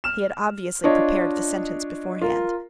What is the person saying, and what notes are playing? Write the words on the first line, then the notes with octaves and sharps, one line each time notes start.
He had obviously prepared the sentence beforehand.
F6 E7
D4 F4 C#5 D#5
F4 A#4